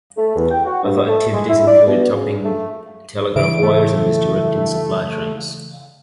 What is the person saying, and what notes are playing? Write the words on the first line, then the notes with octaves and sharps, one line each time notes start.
Other activities included tapping telegraph wires and misdirecting supply trains.
A3
E2
G5
F#4
G2
A3
G#3
E4
D5
B2
C#3
A3
C#3 E3 E4 D7
A3